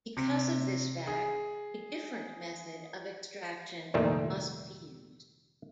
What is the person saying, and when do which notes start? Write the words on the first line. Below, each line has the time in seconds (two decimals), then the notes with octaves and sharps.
Because of this fact, a different method of extraction must be used.
0.17 C3
1.07 G#4
3.94 C2 F2 A#2 D#3 G3 A3